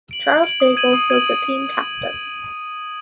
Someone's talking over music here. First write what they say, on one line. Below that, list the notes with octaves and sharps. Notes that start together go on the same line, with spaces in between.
Charles Nagle was the team captain.
D7 F#7
G#6
D7 F#7
D#6
G#6 D#7 F#7
D#6
G#6 D#7 F#7
D#6